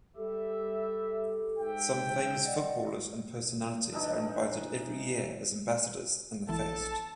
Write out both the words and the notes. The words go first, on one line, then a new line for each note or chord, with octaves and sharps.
Some famous footballers and personalities are invited every year as ambassadors in the fest.
G3 G4 A4 E5
G#2 E5 G5
C#3
D5 D#5 F#5
B2 E3 D4 D#4
A#1 E3 B3 E4 A4 A5